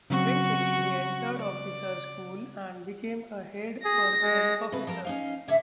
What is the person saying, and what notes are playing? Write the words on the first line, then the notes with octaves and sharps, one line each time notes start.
Eventually he entered officer school and became a head personnel officer.
C#3 F#3 C4 F#4 C#6
D5
G#4 A#6
G#3
C3 F3 B4
F3 A4 A#4
C#4 D#4 F5
A2 D3 F4 E5